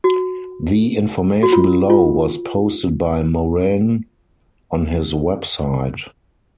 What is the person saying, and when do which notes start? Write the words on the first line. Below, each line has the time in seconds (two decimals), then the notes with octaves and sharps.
The information below was posted by Moran on his website.
0.04 F#4
1.43 F#4
1.53 F4
1.90 F4